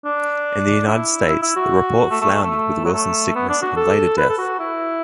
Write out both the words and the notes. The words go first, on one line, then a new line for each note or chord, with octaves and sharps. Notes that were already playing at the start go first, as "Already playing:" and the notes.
In the United States, the report floundered with Wilson's sickness and later death.
D4
E4
E4
E4
F#4
A3
A3
A3
A3
F#3
A3
B3
D4
F#4
A4
B4
A4
F#4
E4